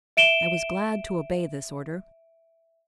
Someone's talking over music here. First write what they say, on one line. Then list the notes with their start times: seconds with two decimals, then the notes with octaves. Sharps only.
I was glad to obey this order.
0.17 E5 D7 E7 G7